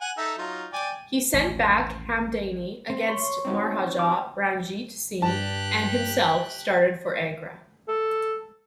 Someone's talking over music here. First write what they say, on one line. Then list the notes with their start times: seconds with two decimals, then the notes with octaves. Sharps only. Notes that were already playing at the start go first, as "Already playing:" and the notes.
He sent back Hamdani against Maharaja Ranjit Singh and himself started for Agra.
0.01 F#5 G#5
0.18 D#4 A4 E5
0.38 F#3 D#4 F4
0.73 D5 G5 G#5
1.33 A1 D#2
2.90 C4
3.08 C#5 C6
3.45 C4 D#4 F#4
3.99 D6
5.22 G2 G4 A5 F#6
7.88 A4